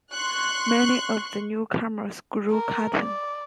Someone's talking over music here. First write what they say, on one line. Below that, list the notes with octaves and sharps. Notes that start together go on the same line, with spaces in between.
Many of the newcomers grew cotton.
C6 C#6 F#6
A#4
D5